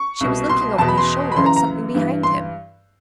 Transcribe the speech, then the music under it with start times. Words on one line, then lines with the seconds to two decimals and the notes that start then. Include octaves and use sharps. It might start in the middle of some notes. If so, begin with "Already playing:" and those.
She was looking over his shoulder at something behind him.
Already playing: C#6
0.21 C2 B2
0.49 C6
0.78 E2 B2 A5
0.88 B5
0.98 C6
1.32 B5
1.36 F#2 C#3 E3 C6
1.46 A#5
1.56 A#5
1.95 G2 E3
2.23 C6